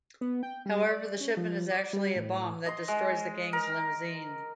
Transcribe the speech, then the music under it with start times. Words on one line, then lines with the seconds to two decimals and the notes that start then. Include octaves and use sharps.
However, the shipment is actually a bomb that destroys the gang's limousine.
0.21 B3
0.43 G5
0.66 G3
0.91 D5
1.21 C#4
1.37 F3
1.71 D5
1.93 G3
2.16 A2
2.66 D#5 C6
2.88 G#3
3.53 A#4